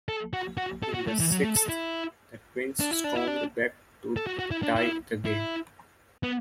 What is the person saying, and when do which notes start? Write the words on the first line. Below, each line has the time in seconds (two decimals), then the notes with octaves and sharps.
In the sixth, the Twins stormed back to tie the game.
0.08 A4
0.33 F#4
0.57 F#4
0.83 A4
0.94 F#4
1.07 A3
1.20 E3
1.32 F#3
1.44 A3
1.56 A4
1.69 E4
2.80 D4
2.91 E4
3.04 D4
3.15 E4
3.27 D4
4.16 A4
4.27 F#4
4.39 F#4
4.51 E4
4.63 D4
4.76 E4
5.25 E4
6.23 B3